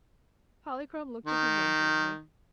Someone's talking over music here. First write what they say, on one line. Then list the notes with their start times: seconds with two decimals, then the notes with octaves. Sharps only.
Polychrome looked at him wonderingly.
1.26 D#3